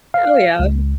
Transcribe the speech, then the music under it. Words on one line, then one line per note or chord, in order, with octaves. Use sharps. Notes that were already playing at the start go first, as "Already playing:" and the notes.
Oh, yeah,
F5
C#2